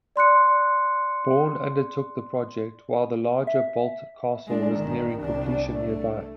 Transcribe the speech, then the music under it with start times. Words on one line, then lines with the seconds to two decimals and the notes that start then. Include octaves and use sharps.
Bourne undertook the project while the larger Boldt Castle was nearing completion nearby.
0.16 D5 C6 F#6 C#7
3.47 E5
4.47 G#3 D4
4.76 G1 D#3
5.20 C2 D4
5.72 A3